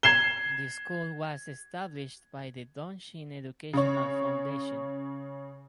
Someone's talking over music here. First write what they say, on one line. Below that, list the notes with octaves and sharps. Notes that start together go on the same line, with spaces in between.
The school was established by the Dongshin Educational Foundation.
G#6 C7 E7 G7
C#3 C#5